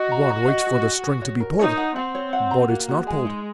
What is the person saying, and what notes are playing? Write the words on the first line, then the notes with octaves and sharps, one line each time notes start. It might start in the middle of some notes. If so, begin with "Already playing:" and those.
One waits for the string to be pulled, but it's not pulled.
Already playing: F#4 D#5
A#5
A#5
D#5
G#4
G#4
G#4
C#5
A#4
D#4 C#5
F#5
C4 F#5
C#5
F#5
A#5
A#3 F#4
F#4
G#3 G#5
D#4